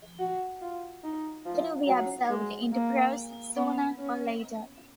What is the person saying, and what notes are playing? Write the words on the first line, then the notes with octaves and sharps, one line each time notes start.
It'll be absorbed into prose sooner or later.
F#4
F4
D#4
F3
F#3
G#3
A#3
B3
C#4